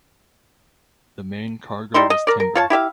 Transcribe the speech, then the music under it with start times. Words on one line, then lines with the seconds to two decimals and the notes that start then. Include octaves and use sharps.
The main cargo was timber.
1.94 G3 D#4 E4 C6
2.10 D#5
2.27 A#4 D5
2.40 A#4
2.55 F4 C#5 A5
2.70 E4 G4 E5 F5